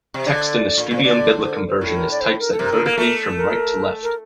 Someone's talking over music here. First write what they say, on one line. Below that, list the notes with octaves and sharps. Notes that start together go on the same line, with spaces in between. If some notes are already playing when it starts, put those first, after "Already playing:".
Text in the Studium Biblicum Version is typeset vertically from right to left.
C3
D3 D5
A#2
A#2
C5
D3 D5
C5
A#4
C5
A2 A#4
A4
A#4
D5
C5
A#4
A4
C3 A#4
D3
A#3
A3
A#4
A#4